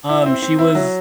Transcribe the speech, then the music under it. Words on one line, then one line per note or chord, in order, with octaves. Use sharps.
um, she was
E4
C4
C4
E4
F#3